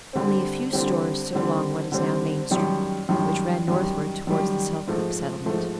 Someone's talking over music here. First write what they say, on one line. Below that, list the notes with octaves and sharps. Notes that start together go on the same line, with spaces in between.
Only a few stores stood along what is now Main Street, which ran northward towards the Selkirk Settlement.
D3 G3 C4
D3 G3 C4
D3 G3 C4
D3 G3 C4
F#2 D#3 G3
F#2 D#3 G3
F#2 D#3 G3
F#2 D#3 G3
G#2 F3 A3
G#2 F3 A3